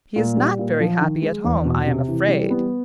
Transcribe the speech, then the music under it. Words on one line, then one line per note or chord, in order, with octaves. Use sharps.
He is not very happy at home, I am afraid.
A#2
G3
A#2
F3
D#3
G#3
E2
B2
C3
E3
G3
B3